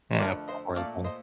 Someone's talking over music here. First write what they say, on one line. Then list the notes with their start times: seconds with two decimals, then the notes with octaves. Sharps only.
and portable.
0.19 F2 D3 F3 A3 A#4 D5
0.48 C5 D#5
0.76 A#2 A3 D5 F5
1.04 C5 D#5